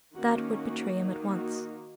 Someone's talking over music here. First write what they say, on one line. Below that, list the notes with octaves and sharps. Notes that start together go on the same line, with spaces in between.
That would betray him at once.
D#3 A#3 C#4 F#4
F#4
D#3 A#3 D#4
F#4